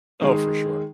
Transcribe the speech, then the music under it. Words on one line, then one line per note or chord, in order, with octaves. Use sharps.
Oh, for sure.
D#3 G#3 G#4